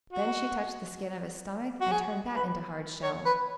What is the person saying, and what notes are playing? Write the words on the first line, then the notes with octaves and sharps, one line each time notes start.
Then she touched the skin of his stomach and turned that into hard shell.
F#4
F#4
G#4
B4
C#5
B4